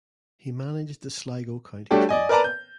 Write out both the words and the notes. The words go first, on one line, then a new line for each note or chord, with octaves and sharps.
He managed the Sligo county team.
G3 A3 D4 F#4 G4 C#5
D5 D#5 G#5
A#4 B4 D5 A5 A#5
G6